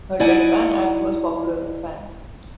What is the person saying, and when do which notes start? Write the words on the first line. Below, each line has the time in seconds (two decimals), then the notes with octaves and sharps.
Her deadpan act was popular with fans.
0.20 D#4 E4 D5 F#5 G#5